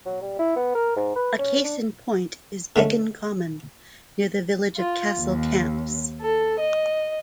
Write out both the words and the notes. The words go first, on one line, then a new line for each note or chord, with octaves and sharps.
A case in point is Biggin Common, near the village of Castle Camps.
F#3
G3
E4
B3
A#4
G#2
B4
C#4
D4
D3 G#3 A3 C#4
F4
D#2
A4
D#5